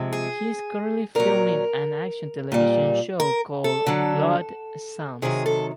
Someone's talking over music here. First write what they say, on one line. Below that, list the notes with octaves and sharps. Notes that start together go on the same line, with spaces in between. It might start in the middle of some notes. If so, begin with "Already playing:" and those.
He is currently filming an action television show called "Blood Psalms".
Already playing: C3 F3 G#3
G#4
A#2 F#3 A#4
A#2 G3
A#4
A4
D3 F#3
C3 D#3 F#3 G#4
A4